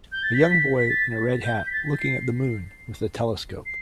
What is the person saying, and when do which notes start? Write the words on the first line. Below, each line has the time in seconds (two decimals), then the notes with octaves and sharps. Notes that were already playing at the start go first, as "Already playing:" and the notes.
A young boy in a red hat looking at the moon with a telescope.
0.12 G6
0.23 A6
0.34 B6
0.78 B6
0.89 A6
1.44 G6
1.66 B6
1.72 A6
2.00 C7
3.66 C7